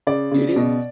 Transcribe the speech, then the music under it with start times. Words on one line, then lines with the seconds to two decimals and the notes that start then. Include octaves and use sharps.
It is.
0.07 C#3 D5
0.31 C#3
0.56 B2